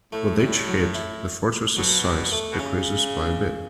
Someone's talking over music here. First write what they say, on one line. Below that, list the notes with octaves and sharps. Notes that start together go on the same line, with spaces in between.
With each hit the fortress' size decreases by a bit.
A2 A3
G3
F#3
E4
B2 F#3
G3
A3
B2
C#3 C#4